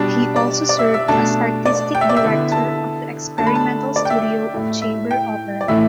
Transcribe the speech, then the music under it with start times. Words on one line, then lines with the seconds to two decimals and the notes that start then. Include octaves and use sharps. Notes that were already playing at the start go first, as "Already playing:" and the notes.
He also served as artistic director of the Experimental Studio of Chamber Opera.
Already playing: B2 G3 D4 A5
0.36 D5
0.69 D5
0.79 E5
0.94 E5
1.08 B2 A3 D4 A5
1.66 D5
1.95 G5
2.01 E5
2.09 D5
2.17 E5
2.23 D3 B3 E4
2.52 A5
3.38 D3 A3 D4 A5
3.47 B5
3.55 A5
3.96 D5
4.05 G5
4.10 E5
4.53 A2 A3 E4
4.82 E5
5.11 G5
5.61 D5
5.68 A2 E3 A3 E4 E5